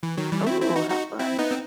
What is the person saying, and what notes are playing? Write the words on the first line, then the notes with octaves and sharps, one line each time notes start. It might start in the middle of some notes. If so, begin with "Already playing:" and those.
Ooh, how fun.
E3
D#3 F#3
E3 G3
C4 E4
C4 E4
D#4 F#4
D#4 F#4
C4 E4
B3 D#4
C4